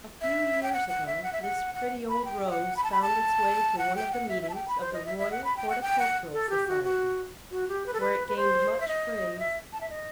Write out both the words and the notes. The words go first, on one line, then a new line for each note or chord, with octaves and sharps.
A few years ago this pretty old Rose found its way to one of the meetings of the Royal Horticultural Society, where it gained much praise.
E5
G5
F#5
F#5
E5
F#5
E5
F#5
F#5
B5
G5
E5
F#5
B5
A5
B5
A5
F#5
G5
F#5
E5
E5
A5
G5
B5
C5
D#5
E5
E5
F#5
B5
G5
F#5
G5
F#5
A4
G4
F#4
F#4
F#4
G4
B4
A4
B4
B4
C5
E5
D#5
E5
A5
E5
D#5